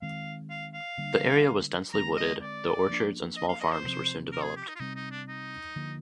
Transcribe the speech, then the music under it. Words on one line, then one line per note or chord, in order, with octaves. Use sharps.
The area was densely wooded, though orchards and small farms were soon developed.
D#3 G#3 C4 F5
F5
F5
D3 G3 A#3 D4
D3 G#3 C4 A#5
D#5
D5
F3 A#3 D4
D#5
F5
D#5
C5
C3 F3 C4
A#4
G#4
G4
D#4
F4
C3 G3 C4 D#4
D#4
D4
D#4
D3 F3 A#3